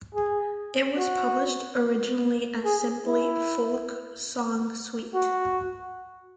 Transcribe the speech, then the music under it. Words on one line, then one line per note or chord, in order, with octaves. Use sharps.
It was published originally as simply Folk Song Suite.
G#4
F#4
G#4
E4
F#4